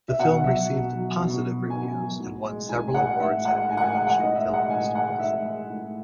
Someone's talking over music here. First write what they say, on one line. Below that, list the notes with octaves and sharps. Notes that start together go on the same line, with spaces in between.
The film received positive reviews and won several awards at international film festivals.
E5
B2 F#5
F#3 E5
B2
F#3
B2
F#3
B2 G#5
F#3
A2
G#3
A2 G#5
G#3 F#5
A2 E5
G#3 F#5
A2 G#5
F#5
G#5
G#3 F#5
F#5
A2 D#5
E5
G#3
F#5
A2 G#5
G#3 F#5
A2 E5
G#3
A2